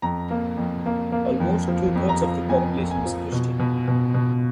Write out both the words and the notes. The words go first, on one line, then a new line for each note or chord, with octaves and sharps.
Almost two-thirds of the population is Christian.
F2 A#5
A#3
F2
A#3
A#3
F2
F3
F2
A#5
F3
F2 G#5
F2
G#5
F3
B2
B2
B2
B2